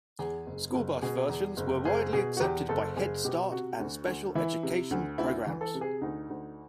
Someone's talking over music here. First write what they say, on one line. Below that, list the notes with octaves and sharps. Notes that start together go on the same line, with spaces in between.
School bus versions were widely accepted by Head Start and special education programs.
E2 G#4
F#1
F#1
B2 G#4
E2
F#1
F#1 G#4
B2 G#4
F#4
E2 G4
F#1 A4
F#1 G#4
B2 G4
C3 F#4
D2
D2
E3 E4
C3
D2
D2 E4
E3
A4
C3
G#4
D2 D#4
D2